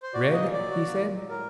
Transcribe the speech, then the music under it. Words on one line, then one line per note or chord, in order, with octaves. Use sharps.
"Read?" he said.
C5
F#4 D5
A#3 D#5
A#2
F#3 D5
F#4
A#3
A#2
F#3
A2 A#4